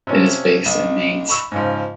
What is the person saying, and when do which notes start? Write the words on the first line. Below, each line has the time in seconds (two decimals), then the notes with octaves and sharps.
It is based in Mainz.
0.07 C3 F3 C#4
0.66 B1
1.29 B5 C#6 E6
1.52 G#2 C#3 F3